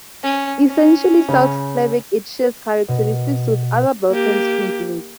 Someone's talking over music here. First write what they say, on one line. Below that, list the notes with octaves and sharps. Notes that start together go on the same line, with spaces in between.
Essentially South Slavic, it shares characteristics with other Balkans cuisines.
C#4
C#4
C#3
B2
A#3 G4